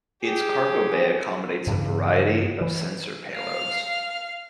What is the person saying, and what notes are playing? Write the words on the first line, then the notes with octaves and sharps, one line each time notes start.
Its cargo bay accommodates a variety of sensor payloads.
G4 G#4
G2 C#3 E3
E3
F5 F6